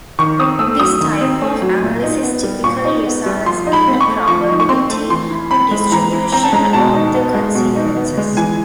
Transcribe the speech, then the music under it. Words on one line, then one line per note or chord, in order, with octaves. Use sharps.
This type of analysis typically results in a probability distribution over the consequences.
D#3 C#6
C4 D#6
A3 E6
F#3 D#6
D#3
C4
A3
F#3
A#2
D#4
B3
G3
A#2 C#6
D#4
B3
G3
F3 C6
D#4
B5
C4
C#6
A3
F3 C#6
D#4
C#6
C4 C6
A3
E3 C6
E4
C4 B5
G#3
E3 A#5
E4
C4 A#5
A5
G#3 A#5
B2 A5
D#4
B3
G#3
B2
D#4
B3
G#3
E3 G#5